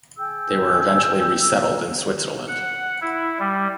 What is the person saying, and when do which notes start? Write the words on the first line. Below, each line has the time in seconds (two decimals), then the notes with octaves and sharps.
They were eventually resettled in Switzerland.
0.17 G#4 G5 E6 G6
2.48 F#5
3.02 E4
3.39 G3